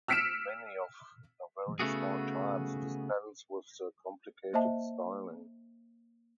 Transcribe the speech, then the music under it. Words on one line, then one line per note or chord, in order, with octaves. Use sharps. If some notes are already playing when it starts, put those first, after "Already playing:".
Many of the very small types dispense with the complicated styling.
E6 F6 B6 C#7 D7 E7
C#3 A3 B3 F#4 G#4
A#3 C5 D#5 E5 A5